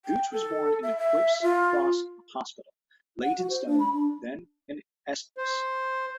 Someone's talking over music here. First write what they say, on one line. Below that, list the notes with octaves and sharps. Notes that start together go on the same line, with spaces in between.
Gooch was born in Whipps Cross Hospital, Leytonstone, then in Essex.
G5
A4
E5
E5
F4
F#5
F#4
C5
D4
B5
D4
C5